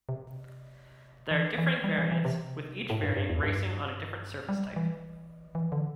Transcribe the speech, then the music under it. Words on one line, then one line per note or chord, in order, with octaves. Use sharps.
There are differing variants, with each variant racing on a different surface type.
C3
E3
E3
G3
E3
E3
C3
A2
G2
G2
E2
G2
G3
E3
E3
D3